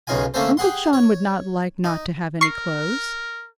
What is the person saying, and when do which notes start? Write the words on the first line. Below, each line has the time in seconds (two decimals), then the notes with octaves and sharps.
"Uncle John would not like not to have any clothes."
0.07 B1 F#2 C#3 D#4 F4 G#5
0.34 D3 A3 A#3 C#4 A4 C5
0.57 G4 G#4 F#5 C6
0.93 C#5
1.84 D#4
2.41 A#4 C#6 C7